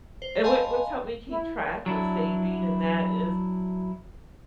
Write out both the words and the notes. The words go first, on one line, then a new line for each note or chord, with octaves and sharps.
And what what's helped me keep track with saving and that is
C5
D#5 F5 G#5 A5 B5 C6
E4
F#3 D4 E4